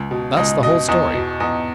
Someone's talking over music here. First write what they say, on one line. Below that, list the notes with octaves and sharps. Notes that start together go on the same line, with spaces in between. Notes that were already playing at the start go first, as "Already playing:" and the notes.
That's the whole story.
Already playing: C#2
B2
C#2 D#5
B2 D#5
E2 D#5
B2
E2 D#5